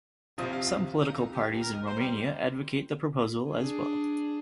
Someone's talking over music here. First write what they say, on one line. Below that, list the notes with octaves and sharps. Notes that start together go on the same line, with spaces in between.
Some political parties in Romania advocate the proposal as well.
A#1 C3 F3 F4 C5 D#6
F5
C2
D#4
F2
G4
D#2
A#4
D#4
C5
G3
D4 G#4